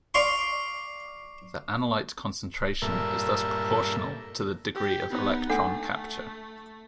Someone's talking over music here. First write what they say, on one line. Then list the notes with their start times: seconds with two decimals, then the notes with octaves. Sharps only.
The analyte concentration is thus proportional to the degree of electron capture.
0.14 D5 F5 C6 C#6
2.82 G2 A#2 A4 A#4 E5
4.75 G4
5.11 B3 D#4
5.50 A3 D4 A4 F#5